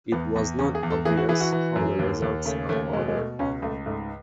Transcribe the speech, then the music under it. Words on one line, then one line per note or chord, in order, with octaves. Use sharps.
It was not obvious how the results are ordered.
E2 B3
E2
E2 C#4
G#4
E2
A4
E3 G#4
F#4
E3 G#4
F#4
E3
F#2
D#2
D#2
C#3 A3
D#2 A3
B2 G#3
G#3
B2 A3
C#2 C#4
C#2 A3
G#2 A3